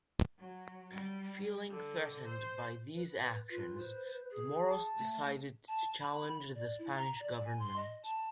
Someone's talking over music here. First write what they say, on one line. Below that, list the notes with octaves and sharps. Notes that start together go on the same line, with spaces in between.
Feeling threatened by these actions, the Moros decided to challenge the Spanish government.
F#3
G3
D3
C5
B4
F4 B4
C5
G#4
A5
A3
A5
B5
D5
E4
A#5
D5
G#5
C6
D#5
A5